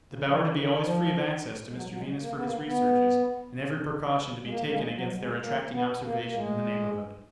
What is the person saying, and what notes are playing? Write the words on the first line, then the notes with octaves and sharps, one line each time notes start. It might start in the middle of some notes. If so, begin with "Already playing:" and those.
The Bower to be always free of access to Mr Venus for his researches, and every precaution to be taken against their attracting observation in the neighbourhood.
C#3
F3
D#3
C#3
D#3
F3
G#3
F#3
F#3
G#3
A#3
B3
A#3
B3
G#3
A#3
A#3
G#3
F#3
G#3
A#3
B3
A#3
A#3
G#3